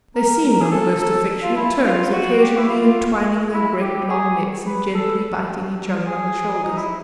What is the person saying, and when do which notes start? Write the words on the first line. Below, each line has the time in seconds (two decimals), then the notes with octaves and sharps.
They seemed on the most affectionate terms, occasionally entwining their great long necks and gently biting each other on the shoulders.
0.16 A#4
0.44 A#4
0.61 G#4
0.71 A4
1.00 A4
1.42 F4
1.56 E4
1.85 F4
2.12 F#4
2.40 G4
2.57 E4
2.69 F4
3.53 E4
3.81 G4
4.09 G#4
4.66 B4
4.95 A4
6.06 G#4
6.64 D#4
6.77 E4